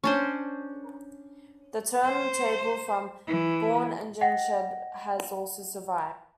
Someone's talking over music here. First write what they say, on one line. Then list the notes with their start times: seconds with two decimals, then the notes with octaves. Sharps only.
The turntable from Bourne engine shed has also survived.
0.04 C#4 D4 C5
2.04 C5
3.27 E3
4.21 D#5 F#5 G5 A#6